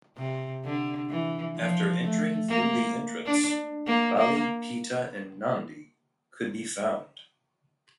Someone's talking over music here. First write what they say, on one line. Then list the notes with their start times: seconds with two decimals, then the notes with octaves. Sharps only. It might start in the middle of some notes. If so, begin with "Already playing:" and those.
After entering through the entrance bali pita and nandhi could be found.
0.17 C3
0.65 D3
1.10 E3
1.57 F3
2.03 A3
2.49 A#3
3.26 D4
3.87 A#3
4.18 A#3